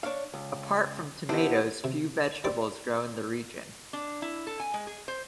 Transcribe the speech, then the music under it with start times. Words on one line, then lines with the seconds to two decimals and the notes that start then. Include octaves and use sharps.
Apart from tomatoes few vegetables grow in the region.
0.03 D4 C#5 D5 F5
0.34 C#2
1.29 B3 D4 E4 G4 C5
1.84 C3
2.44 G3 C5 D5 G5 D6
3.93 D4
4.22 E4
4.47 A4
4.60 G#5
4.74 G#3
4.87 G#4
5.08 C5